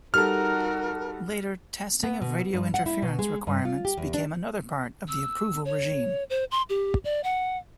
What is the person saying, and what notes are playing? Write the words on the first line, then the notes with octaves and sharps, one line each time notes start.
Later, testing of radio interference requirements became another part of the approval regime.
G3 D#4 F#4 A4 A#4 F6
B3
B2
G2
F#5
E4
B2
G#3
G2
F4
G4
E2
D4
E6
C#5
C5
C6
G4
D5
F#5